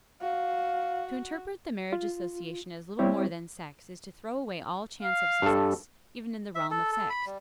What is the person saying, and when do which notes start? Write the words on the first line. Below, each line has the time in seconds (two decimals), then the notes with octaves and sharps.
To interpret the marriage association as little more than sex is to throw away all chance of success, even in the realm of sex.
0.22 F#4 F5
1.93 F4
2.99 G3 C4 E4 G4 C#5
5.03 F5
5.42 G2 A4
6.55 E5
6.71 A4
6.92 A4
7.10 B5
7.26 G3